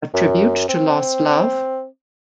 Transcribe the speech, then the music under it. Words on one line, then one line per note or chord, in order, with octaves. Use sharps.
A tribute to lost love?
F#2
C4